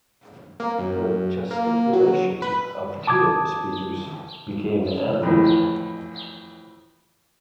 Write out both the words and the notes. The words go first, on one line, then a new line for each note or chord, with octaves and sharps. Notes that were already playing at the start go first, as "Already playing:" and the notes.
The gesticulation of two of the speakers became animated.
A#3
F#2
A#3
F#3
B4
A5 D6 D#6 G#6
F2 A2 E3